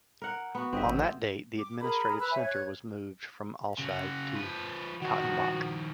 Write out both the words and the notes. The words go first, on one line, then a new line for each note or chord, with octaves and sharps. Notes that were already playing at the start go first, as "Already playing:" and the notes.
On that date, the administrative centre was moved from Alscheid to Kautenbach.
A#4 F#5
B3 F#4
G1 C4 D#5 E5
A1 C5
D6
G#4 A#4 A#5 B5
B4 B5 E6 F#6
C#5 E5 G#5
C#5 F#6 G#6
C#3 F#4
F3 B4
D#3 F3 F#4